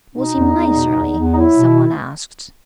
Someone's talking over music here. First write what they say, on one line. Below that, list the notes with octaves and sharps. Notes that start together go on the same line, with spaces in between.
"Was he miserly?" some one asked.
B2 D#4
E2
E2
B2
E2
E2
D#4
F#3 E4
B2